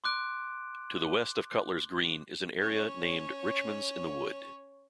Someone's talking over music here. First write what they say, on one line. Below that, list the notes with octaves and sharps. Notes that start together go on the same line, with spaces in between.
To the West of Cutler's Green is an area named 'Richmond's in the Wood'.
C6 D6 F#6 D7
C#4 C#5